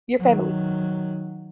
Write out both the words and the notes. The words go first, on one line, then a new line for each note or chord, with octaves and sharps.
your family.
D#3 F#3